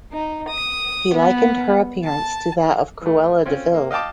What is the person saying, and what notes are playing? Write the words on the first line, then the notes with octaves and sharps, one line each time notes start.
He likened her appearance to that of Cruella de Vil.
D#4
D#6
B3
A5
E3 A3
C4 C#4 F4
A#3
D#5 F5 G5 A5 D6